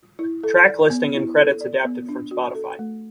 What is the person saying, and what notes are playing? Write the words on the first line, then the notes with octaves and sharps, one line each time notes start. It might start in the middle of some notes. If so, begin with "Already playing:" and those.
Track listing and credits adapted from Spotify.
E4
A4
D5
B3
E4
A4
D5
B3
D4
F#4
A4
A3